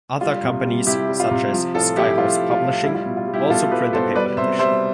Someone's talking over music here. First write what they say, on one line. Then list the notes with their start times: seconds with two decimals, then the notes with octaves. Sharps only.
Other companies-such as Skyhorse Publishing-also print a paper edition.
0.21 G3 F4
0.43 C3
0.64 G3
0.86 C3 E4 G4
1.09 G3
1.20 F4
1.31 C3
1.53 F3
1.74 A2 F4 A4
1.96 F3 E4 G4
2.18 A2 F4
2.40 F3
2.51 F4
2.63 A2
2.84 G3 E4
2.94 F4
3.00 E4
3.06 B2
3.17 F4
3.28 G3
3.33 E4 G4
3.50 B2 F4 A4
3.71 G3 G4 B4
3.93 B2 A4 C5
4.15 G3 B4 D5
4.37 C3 C5 E5
4.59 G3 C5 E5